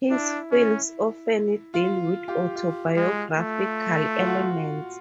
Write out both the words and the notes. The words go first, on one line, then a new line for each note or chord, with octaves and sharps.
His films often deal with autobiographical elements.
D4 E4
C#4
F4
F4 G4
F4
G#3
A3
F4
F#4
F4